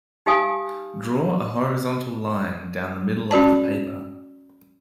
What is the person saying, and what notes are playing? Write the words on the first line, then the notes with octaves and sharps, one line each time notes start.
Draw a horizontal line down the middle of the paper.
D#4 G4 F5 G#5 D#6
C#4 F#4 D5 A5